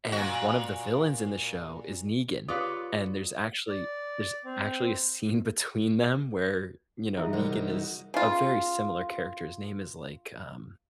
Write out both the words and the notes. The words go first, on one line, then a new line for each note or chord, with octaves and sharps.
and one of the villains in the show is Negan and there's actually there's actually a scene between them where, you know, Negan is a very similar character. His name is like, um,
A#2 F#4
F4 G4 B4 C#5 D5 F5 D#6
D5
C4
E3 D#4 E4 F#4 G#4 E5
C2 C5
C#3 F4